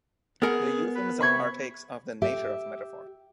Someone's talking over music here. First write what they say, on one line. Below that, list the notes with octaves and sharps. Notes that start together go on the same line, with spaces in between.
The euphemism partakes of the nature of metaphor.
B3 G#4 A#4 F#5
B4
C3 B5 C#6 G#6
G4 E5